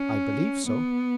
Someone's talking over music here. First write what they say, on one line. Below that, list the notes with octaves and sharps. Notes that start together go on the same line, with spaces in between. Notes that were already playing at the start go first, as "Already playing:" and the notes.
"I believe so."
Already playing: C#4
B3